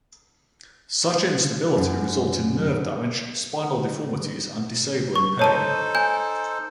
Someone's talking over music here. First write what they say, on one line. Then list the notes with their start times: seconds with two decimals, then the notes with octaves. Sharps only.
Such instability results in nerve damage, spinal deformities, and disabling pain.
1.77 F#2
5.16 C#6
5.39 D#4 A4 C5 C#5 A5 D#7
5.95 G#5 G6